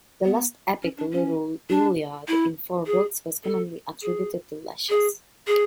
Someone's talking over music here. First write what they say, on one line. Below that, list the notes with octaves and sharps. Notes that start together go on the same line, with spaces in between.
The lost epic "Little Iliad", in four books, was commonly attributed to Lesches.
B3
C#4
D4
C#4
D4
E4
G#4
A4
G#4
G#4
G#4